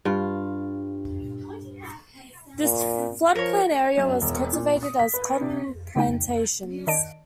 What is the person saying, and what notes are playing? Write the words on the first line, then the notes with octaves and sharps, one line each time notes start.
This floodplain area was cultivated as cotton plantations.
G2 F4
A#2
F3 A#4 C#5
F#2
E1
A#2
D#6
B6
B4
C3
C#3 A3 D#4 G5
D#3 D5 D#5 A5 D7